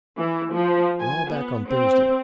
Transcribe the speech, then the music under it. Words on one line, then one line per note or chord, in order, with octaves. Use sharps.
We're all back on Thursday.
E3
F3
G#5
B3
C4